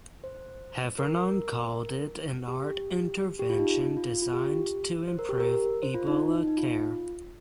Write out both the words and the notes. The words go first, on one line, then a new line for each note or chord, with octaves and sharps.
Heffernan called it "an art intervention designed to improve Ebola care".
C5
A#4
G4
G4
F4
D#4
F4
F4
G4
C5
A#4
G4
A#4
C5
F4
D#4
D#4
D#4
F4